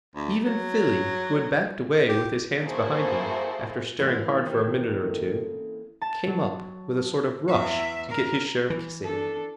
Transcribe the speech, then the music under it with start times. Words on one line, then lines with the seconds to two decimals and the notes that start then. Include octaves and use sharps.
Even Philly, who had backed away with his hands behind him, after staring hard for a minute or two, came up with a sort of rush to get his share of kissing.
0.15 D2
0.45 F#3
2.09 G4
2.62 A#3 E4 F#4 G#4 A4 C5
3.99 G#2 E3 A#3 C4 E4
4.46 D#2 D#3 G4
5.02 C#4 E4 A4
6.02 A5
6.27 F#3
7.48 E2 E5
8.08 A#4
8.70 E3
9.04 D4 A4